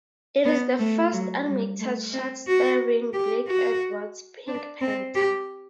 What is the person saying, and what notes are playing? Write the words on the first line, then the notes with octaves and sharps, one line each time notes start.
It is the first animated short starring Blake Edwards' Pink Panther.
B3
A3
F#3
G3
A3
C4
F#4
G4
F#4
D4
C4
G4